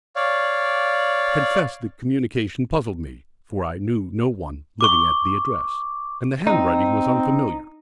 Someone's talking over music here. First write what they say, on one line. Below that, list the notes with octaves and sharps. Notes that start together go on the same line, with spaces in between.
I confess the communication puzzled me, for I knew no one living at the address, and the handwriting was unfamiliar.
C#5 D5 F5
C#6 D6
C4 D#4